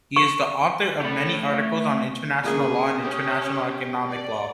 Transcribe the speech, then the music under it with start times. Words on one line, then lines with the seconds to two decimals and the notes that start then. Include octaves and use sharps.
He is the author of many articles on International Law and International Economic Law.
0.16 C#6
1.01 A3 B5
2.44 A#1 C#3 A#3 G#4 D#6
3.03 C#4 G4
4.08 D5